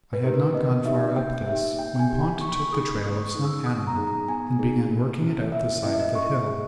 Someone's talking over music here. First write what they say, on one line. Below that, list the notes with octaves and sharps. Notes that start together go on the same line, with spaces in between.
I had not gone far up this when Pont took the trail of some animal and began working it up the side of the hill.
B4
D#4 G4 A#4
B4
A#3 D#5
D#4 G4 E5
A#3 G5
D#4 G4 E5
A#3 G5
G5
G#5
D#4 G4
B5
A#3 C#6
B5
C#6
D#4 G#4 D#6
A#3 D#6
C#6
D#4 G#4
E6
B3 D#6
A#5
D#4 G#4
A#5
B3 G#5
D#4 G#4
A#3
C#4 E4
A#3 E5
C#4 E4 D#5
E5
D#5
C#4 C#6
G#4